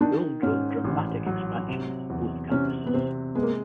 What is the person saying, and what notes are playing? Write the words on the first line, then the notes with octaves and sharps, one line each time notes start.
Bill drove dramatic expansion of both campuses.
D#3 D4
G#2 C#4
A1
F#3
C3
E2
C3 C#4
B3
C3 C4
G#3 B3
A#3